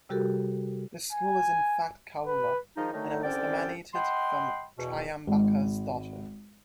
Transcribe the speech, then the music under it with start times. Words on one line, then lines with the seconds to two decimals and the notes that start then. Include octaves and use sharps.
This school is in fact Kaula, and it was emanated from "Trayambaka"'s daughter.
0.09 C3 G3 F#4 G4 A4 A#4
1.13 G#5
2.27 B4
2.77 D#3 F3 G#3 D#4
2.93 D3 D#3 F#3 A3 D#4
3.24 C2 D3 C4 C#4 D5 G5
3.94 D#5 F#5 G5 B5 C6
4.78 E2 B2
5.27 G#1